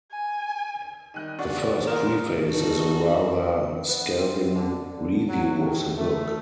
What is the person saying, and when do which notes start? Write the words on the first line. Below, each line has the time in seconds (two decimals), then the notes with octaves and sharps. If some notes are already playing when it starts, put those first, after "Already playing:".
The First Preface is a rather scathing review of the book.
0.12 G#5
1.14 D#3 G3 D#4 F#6 D#7
1.39 D4 F#4 G#4 D5 F#5 C#6
1.87 A#2 A#4 F5 D#6 E7
2.46 D#4 F#4 A4
3.86 B3
4.17 C4
4.54 D3
4.87 D3
5.27 F#3
5.58 A2
5.97 A3